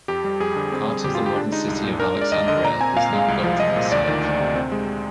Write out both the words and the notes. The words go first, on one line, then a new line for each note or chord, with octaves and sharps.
Part of the modern city of Alexandria is now built on the site.
F2 G4
G3
F2 G#4
D3
C4
G3
F2 G4
F4
D3
G4
D4
G#3 D#4
C2
A#2
D4 A#4
G#3
D5
D#2 D#5
D3 D#5
A#2 A#5
C4 G#5
A#2 F5
G#3
C2
F3
C2 D#5
A#2
D2 D5
D#3
D2
C3
C4
G#3